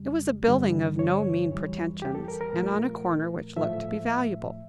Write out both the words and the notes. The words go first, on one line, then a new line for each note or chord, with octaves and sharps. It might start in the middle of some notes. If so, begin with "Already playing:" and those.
It was a building of no mean pretentions and on a corner which looked to be valuable.
Already playing: F2 C#3 G3
G2 D3 G3
C#5
E2 E3 G3
G4
A4
A#4
A#4
A#2 F3 A3
A2 F3 A3 E5